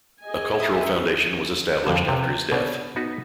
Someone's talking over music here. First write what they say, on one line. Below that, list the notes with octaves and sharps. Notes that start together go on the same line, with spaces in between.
A cultural foundation was established after his death.
G#4 D#5 G#5
E5 D#6
F2 D3
C3
B2 D4
B3 D#4 F#4 B4